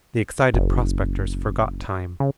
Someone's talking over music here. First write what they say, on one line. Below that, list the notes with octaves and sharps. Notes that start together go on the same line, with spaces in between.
The excited prospectors forgot time.
F#1
C#3